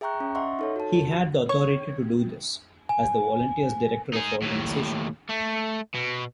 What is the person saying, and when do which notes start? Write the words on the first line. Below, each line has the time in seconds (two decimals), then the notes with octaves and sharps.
He had the authority to do this, as the Volunteers' Director of Organisation.
0.01 G#4 E5 G5 A#5 C#6 F#6
0.20 C#4
0.35 D#5 E5 F#5 C6 C#6
0.59 D#4 A4 C#5
0.76 F#4 A5
1.11 F#4
1.49 C#5
2.89 G#5
4.14 D#4 G#4
4.43 D#2 A2
5.29 A3
5.95 B2